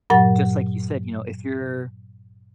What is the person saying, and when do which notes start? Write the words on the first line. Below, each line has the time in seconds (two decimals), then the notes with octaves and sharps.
just like you said, you know, if you're
0.10 G2 A#2 F#3 A#4 F#5 A6